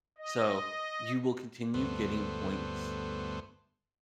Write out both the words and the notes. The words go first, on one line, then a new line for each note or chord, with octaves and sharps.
So, you will continue getting points
D#5
D2 G2 A3 B3 C5